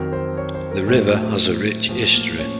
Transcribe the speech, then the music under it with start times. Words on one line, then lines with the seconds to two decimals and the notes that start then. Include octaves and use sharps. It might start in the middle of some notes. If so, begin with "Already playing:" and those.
The river has a rich history.
Already playing: F2 D#3 F#3 A#4
0.13 C5
0.37 C#5
0.55 C5
0.71 A#4
0.88 A2 F#3 C4
1.13 A3
1.89 A2 F3
2.14 A#3
2.39 C#4